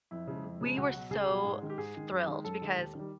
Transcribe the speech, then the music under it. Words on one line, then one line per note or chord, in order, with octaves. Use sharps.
We were so s thrilled because
F2 E4
C#3 F3 G#3
F2
C#3 F3 G#3
C#2 F#4
B2 F#3
C#2 G#4
B2 F#3
G#2
D#3 G#3
G4
G#2 G#4
D#3 G#3
F#2
D#3 G#3
F#2 A4
D#3 G#3
D#2
D#3 G3